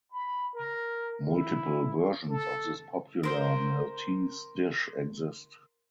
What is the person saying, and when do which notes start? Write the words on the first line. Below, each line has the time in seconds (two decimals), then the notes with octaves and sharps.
Multiple versions of this popular Maltese dish exist.
0.11 B5
0.54 A#4
1.29 E4
2.29 A4
3.23 A#4 C5